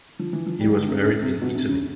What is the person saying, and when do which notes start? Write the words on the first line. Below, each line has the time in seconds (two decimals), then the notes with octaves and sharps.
He was buried in Italy.
0.19 F3
0.33 E3
0.46 F3
0.60 G3
0.74 D3
0.88 C3
1.01 C#3
1.22 C3
1.42 B2
1.55 C3
1.69 C#3